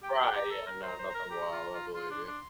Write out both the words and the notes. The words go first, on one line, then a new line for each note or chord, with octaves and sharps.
Right, yeah, no, nothing wild, I believe you.
G4 G5
G4
G4 A#5
A4
A#4
C5
A#5
C5
A#5
A#4
G4
F4
F4
F4 C6
D4
D4